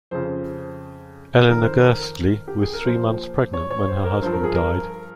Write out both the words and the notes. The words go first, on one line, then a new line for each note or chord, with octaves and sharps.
Eleanor Gerstley was three months pregnant when her husband died.
F2 C#3 F3 C5
F2 D#3 A#4
C5
A#4
G4
G#4
A#4
A#2 F3 C5
C#5
C#5
C5
A#4
G2 F3 C5
A#4
G#4
A#4